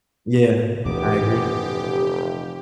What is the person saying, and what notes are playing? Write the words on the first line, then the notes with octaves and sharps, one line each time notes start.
Yeah, I agree.
F1 F#2 A#2 E3 B3 G4 D6